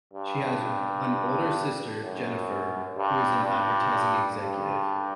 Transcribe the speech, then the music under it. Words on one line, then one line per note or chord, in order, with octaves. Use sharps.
She has an older sister, Jennifer, who is an advertising executive.
G2
F#2
G2
G2
G2